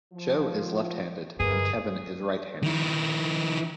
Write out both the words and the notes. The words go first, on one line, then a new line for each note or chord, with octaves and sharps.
Joe is left-handed and Kevin is right-handed.
F3
G2 D3 G#3 A#3 G#4 B4
D#3 E4